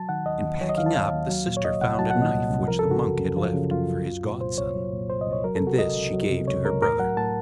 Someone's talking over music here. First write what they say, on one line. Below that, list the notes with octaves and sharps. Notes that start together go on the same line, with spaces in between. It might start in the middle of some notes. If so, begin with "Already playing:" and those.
In packing up, the sister found a knife which the monk had left for his godson, and this she gave to her brother.
Already playing: F#3 A5
D#3 F#5
D#2 D#5
D#2
F#3 C#5
D#5
D#3 F5
A5
D#2 F5
D#2
F#3
A#2
C#5
C2 D#5
C2 F#5
F#3 A5
F#5
A#2
D#5
C2
C2
F3 A#4
A4
C#3
F#4
F#2
F#2
F3 F4
C#3
F#2 F4
F#2
F#3
A#2
C2 C5
C2 C#5
F#3
A#2
C2 C5
D#5
C2
C#5
F#3 A#4
A4
C3
F#4
C#2 D#5
C#2
F#3
C3
C#2 C#5
C#2 A#4
A2 A#4
F#3 F#5
A2 A5